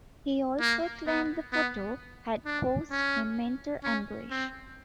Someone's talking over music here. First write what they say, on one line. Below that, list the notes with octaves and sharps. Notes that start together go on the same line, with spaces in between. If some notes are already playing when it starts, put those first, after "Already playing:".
He also claimed the photo had caused him mental anguish.
A#3
B3
B3
D4
C#4
C#4
C4